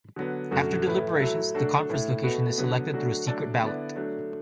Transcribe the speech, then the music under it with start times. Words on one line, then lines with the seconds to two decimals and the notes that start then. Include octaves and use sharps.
After deliberations, the conference location is selected through a secret ballot.
0.16 D3 F#3 B3
0.51 F#2 D3 A3 F#4
0.86 A2 A3 E4 B4
1.20 F#3 A3 E4 A4
1.54 F#3 A3 D4 F#4 A4
1.89 A2 A3 E4
2.23 B2 A3 F#4 B4
2.58 D3 F#3 B3
2.93 F#3 A3 D4 F#4
3.27 F#3 A3 D4 A4 D5
3.62 D3 B3 E4 D5
3.96 F#3 A3 D4